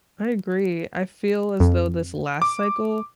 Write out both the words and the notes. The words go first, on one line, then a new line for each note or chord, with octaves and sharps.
I agree. I feel as though this last cycle
F2
D6